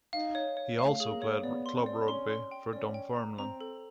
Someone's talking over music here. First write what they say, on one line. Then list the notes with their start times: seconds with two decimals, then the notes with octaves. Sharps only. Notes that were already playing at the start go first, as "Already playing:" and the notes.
He also played club rugby for Dunfermline.
0.13 D#4 F5
0.35 C#5
0.57 C#5
0.79 A3 F5
1.00 G#4
1.11 A#3
1.22 C#5
1.43 B3 D5
1.66 C6
1.76 C4
1.86 D5
2.08 C#4 C6
2.30 C6
2.51 G5
2.73 C#4 D5
2.94 G5
3.17 A#5
3.38 C4 A#5
3.61 A4